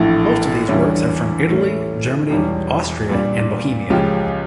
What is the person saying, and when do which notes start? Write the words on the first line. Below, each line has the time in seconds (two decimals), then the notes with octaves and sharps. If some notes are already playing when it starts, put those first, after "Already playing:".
Most of these works are from Italy, Germany, Austria and Bohemia.
Already playing: A#1 A2 E3 A3 E4
0.68 E2 D3 G3 C#4 E4
1.49 A2 E3 A3 C#4
2.30 E1 E2 E3 G3 C#4
3.09 A#2 G3 D4
3.90 C#2 C#3 F3 C#4 G4